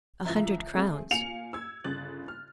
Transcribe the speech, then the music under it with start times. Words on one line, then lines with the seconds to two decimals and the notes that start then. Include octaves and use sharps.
"A hundred crowns."
0.25 C#2 E3 F3 E5 A#5
0.74 A3 C4 G#4
1.11 A#2 F5 G#5 C#7 F7
1.53 E6 G#6
1.84 G1 C#3 F#6 A6 F#7
2.28 F6